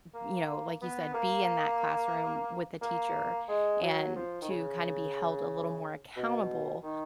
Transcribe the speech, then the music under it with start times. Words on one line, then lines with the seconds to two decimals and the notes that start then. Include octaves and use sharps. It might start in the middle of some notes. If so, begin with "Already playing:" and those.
you know, like you said, be in that classroom, with a teacher, and to kinda be held a little more accountable
0.14 A#3
0.82 B3
1.14 A#3
2.81 A#3
3.48 G#3
3.82 F#3
4.15 F3
4.42 D#3
4.49 C#3
6.17 B2
6.83 D#3